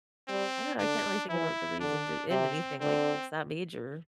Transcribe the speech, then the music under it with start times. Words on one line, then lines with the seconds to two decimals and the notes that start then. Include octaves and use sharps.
I don't know. I can't really think of the reason to end anything. Like, it's that major,
0.28 G3 C4
0.79 D3 D4
1.30 E3 E4
1.80 D3 D4
2.30 C3 C4
2.81 D3 C4